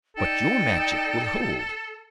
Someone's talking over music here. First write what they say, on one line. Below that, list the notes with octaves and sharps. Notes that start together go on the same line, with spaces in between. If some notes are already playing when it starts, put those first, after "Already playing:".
But your magic will hold.
D#4 A4 D5 G5